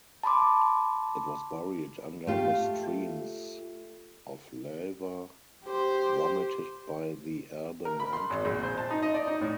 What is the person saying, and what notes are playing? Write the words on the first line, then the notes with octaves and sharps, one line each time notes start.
It was buried under the streams of lava vomited by the Alban Mountain.
A5 B5 C6 D6
A3 F4 G4
G4 C5
A#4
B5
C6
G#1
A#1
C5
A5
D#4
D#5
D5
D#4
A2